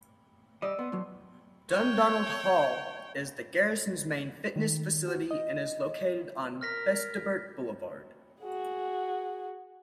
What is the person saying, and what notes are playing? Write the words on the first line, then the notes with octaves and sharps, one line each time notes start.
Dundonald Hall is the Garrison's main fitness facility and is located on Festuburt Boulevard.
G3 D5 D#5 D#6 E6
B3 C6
A2 F#3
C#5 G5
D#3
F#4
D#5
A#4 F6 A#6 B6
F#4 G#4